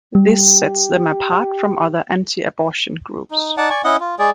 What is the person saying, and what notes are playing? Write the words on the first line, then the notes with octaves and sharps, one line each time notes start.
This sets them apart from other anti-abortion groups.
G3 G4
D#4
D#4 D5 F#5 A5
D5 G#5 C#6
C#4 E4 D#5 F#5
F4
G#3 G#4 D5